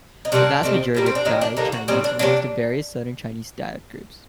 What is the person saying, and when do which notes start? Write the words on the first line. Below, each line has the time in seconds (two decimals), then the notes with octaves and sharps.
The vast majority of Thai Chinese belong to various southern Chinese dialect groups.
0.25 D#4
0.32 C3 G3 A#3 D4
0.63 C3 D#3 A3 C4
0.95 A2 G3 A#3
1.06 C4
1.15 D4
1.25 D#3 F#3 A#3 D#4
1.41 D4
1.57 D3 G3 A#3 D#4
1.72 F#4
1.88 A2 G3 C4 D#4
2.04 D4
2.19 C3 D#3 F#3 A#3 D4